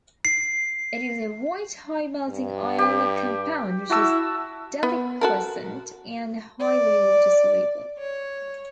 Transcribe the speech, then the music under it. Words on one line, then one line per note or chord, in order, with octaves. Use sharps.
It is a white, high-melting ionic compound, which is deliquescent and highly water-soluble.
C7
G2
G4
E4 F#4 A5 E6
B3
F#4 A4 A#4
D5
C#5